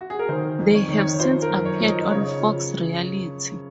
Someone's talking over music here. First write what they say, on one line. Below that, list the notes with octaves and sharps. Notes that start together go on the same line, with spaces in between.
They have since appeared on Fox Reality.
F#4
G#4
A#4
D#3 C5
F2
C#5
D#3
C#5
F3 C5
A#4
F#2
C#5
F3
D#5
C#3 C#5
F3